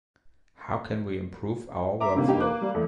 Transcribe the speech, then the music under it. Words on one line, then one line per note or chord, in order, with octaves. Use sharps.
How can we improve our workflow?
E5 A#5 D6
G2 C3 D#3 A#3
G2 D#4 G4
D6 F#6
G3
E2 E3 A3